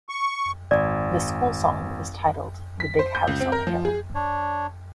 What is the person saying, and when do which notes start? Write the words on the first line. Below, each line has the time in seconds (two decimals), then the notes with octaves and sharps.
The school song was titled "The Big House on the Hill".
0.09 C#6
0.71 G#1 D5
2.80 B6
2.99 C5
3.15 G6
3.27 C#2
3.40 C4
3.52 A#4
3.67 F3
3.85 G#4
4.15 D4 C#5